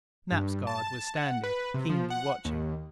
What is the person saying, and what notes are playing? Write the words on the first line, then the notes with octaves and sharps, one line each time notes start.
Snap's guard was standing, keenly watching.
G2
A5
F#5
B4
C3
F3
F#5
D#2